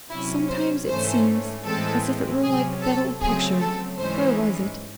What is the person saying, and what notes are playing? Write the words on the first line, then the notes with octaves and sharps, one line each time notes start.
Sometimes it seems as if it were like that old picture--where was it?
C3 F#3 C#4 E4
C5
G#2 E3 A3 C#4 C5
A2 E3 G#3 C4 A4
C3 F#3 C#4 G#4
A4
C#3 F#3 A3 C4 G#4
A4
G#2 E3 G#3 C#4 C5